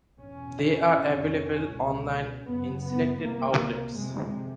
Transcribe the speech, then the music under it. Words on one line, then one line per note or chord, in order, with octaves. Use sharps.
They are available online and in selected outlets.
E2 B2 C#4
F2 C3
C#2 B2
F#2 C#3 B3
B3
C2 C3 A#3
F2 C3 G#3